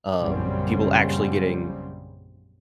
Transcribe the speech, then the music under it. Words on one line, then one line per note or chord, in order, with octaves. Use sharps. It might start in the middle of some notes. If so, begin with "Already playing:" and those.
um, people actually getting
A#1 F#2 C#3 G3 C4